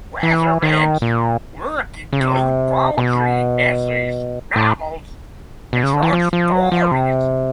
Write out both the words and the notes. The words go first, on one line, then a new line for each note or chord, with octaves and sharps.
Wassermann's work includes poetry, essays, novels, and short stories.
E3
D#3
A#2
C#3
C3
B2
A2
B2
C#3
D3
E3
F3
F3
F#3
F3
C3